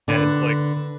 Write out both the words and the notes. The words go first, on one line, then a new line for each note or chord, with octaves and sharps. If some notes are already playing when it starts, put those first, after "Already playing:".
And it's like,
D3 B4